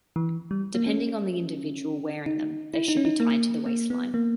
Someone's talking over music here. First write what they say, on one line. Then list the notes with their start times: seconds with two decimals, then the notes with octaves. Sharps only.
Depending on the individual wearing them, they should be tied to the waistline.
0.16 E3
0.51 G3
0.75 A#3
0.86 C#4
2.26 D#4
2.74 E4
2.88 D#4
2.97 C#4
3.05 D#4
3.20 A#3
3.66 A#3
3.90 B3
4.14 A#3